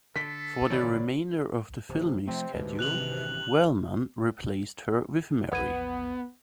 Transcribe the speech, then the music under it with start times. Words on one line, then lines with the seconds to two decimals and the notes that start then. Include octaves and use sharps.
For the remainder of the filming schedule, Wellman replaced her with Mary.
0.16 D3 A4 B6
0.70 G#1 C#3 E3 C#5 D5 B5
1.89 D1 C3
2.27 C3 F3 A3 C4
2.54 D2 G#2 B2 D3
2.79 A1 G2 D#3 F#6 F7 F#7
5.52 A#1 E2 B3 F#5 G#6 D#7